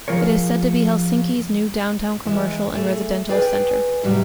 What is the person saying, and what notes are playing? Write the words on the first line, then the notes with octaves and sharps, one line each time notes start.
It is said to be Helsinki's new downtown commercial and residential centre.
F3 G#4 A#4 C#5
E3 G#3
A3 G#4
G#4 B4 D5 G5 G#5
A2 C3 F#3 G3 F#4 G4